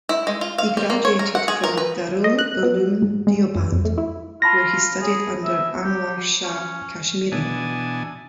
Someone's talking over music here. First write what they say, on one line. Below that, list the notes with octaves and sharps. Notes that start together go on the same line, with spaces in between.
He graduated from Darul Uloom Deoband where he studied under Anwar Shah Kashmiri.
E4
G#3
F4
F5
G3
A#3
C#5
A#4
F#5
G#4
A#4
B4
D#5
F#6
B3
G#2
G#3
F#2
F2
A3
E4
F4 A5 B5 A#6
G#4
E5
G4
C#4
B2 E3 D4 G#5 A5 D#6